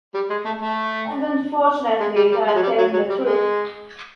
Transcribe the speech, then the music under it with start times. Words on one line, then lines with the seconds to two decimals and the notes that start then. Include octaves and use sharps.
And unfortunately they are telling the truth.
0.14 G3
0.30 G#3
0.45 A3
0.61 A3
2.00 G#3
2.16 G3
2.32 G3
2.47 G#3
2.55 F#3
2.63 G3
2.78 F#3
2.93 F#3
3.09 G3
3.25 G#3